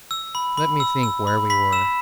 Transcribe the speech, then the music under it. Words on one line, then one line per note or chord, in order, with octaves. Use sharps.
LET me think where we were.
E6
B5
B5
E6
E6
B5
B5 B6
E6 E7